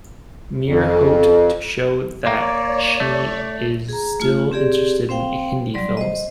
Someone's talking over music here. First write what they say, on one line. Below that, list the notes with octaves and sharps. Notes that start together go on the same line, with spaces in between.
Mere Hote to show that she is still interested in Hindi films.
F2
A#3 C#5 D5
A3
G#4 A#5
A3 F4
C4 G4 G#4 D5
C4 C5 F5 G5
F#3 G3 D5 C6
C5 D#5